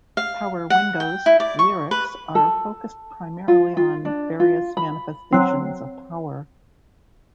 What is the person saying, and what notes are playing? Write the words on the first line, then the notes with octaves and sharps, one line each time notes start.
"Power Windows" lyrics are focused primarily on various manifestations of power.
F5
F#5
G5
E4
D5
C#6
B4
A4
F4
F4
D4
F4
B5
F#3 C4